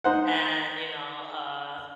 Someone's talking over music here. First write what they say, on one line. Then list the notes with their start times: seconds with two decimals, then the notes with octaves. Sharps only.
and, you know, uh,
0.04 D#4 C5 F#5